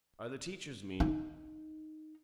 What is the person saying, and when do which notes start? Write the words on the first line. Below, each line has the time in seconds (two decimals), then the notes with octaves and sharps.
"Are the teachers mean?"
1.00 D#4